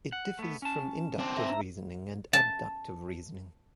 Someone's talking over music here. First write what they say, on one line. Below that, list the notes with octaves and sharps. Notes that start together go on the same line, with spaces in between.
It differs from inductive reasoning and abductive reasoning.
F#5
A3 B3
C#4 A5
C4 D4
E5 A#5
A5